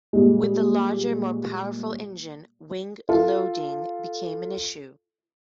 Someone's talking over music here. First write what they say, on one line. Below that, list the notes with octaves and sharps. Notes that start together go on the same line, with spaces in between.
With the larger, more powerful engine, wing loading became an issue.
A#2 G3 G#3
F4 A4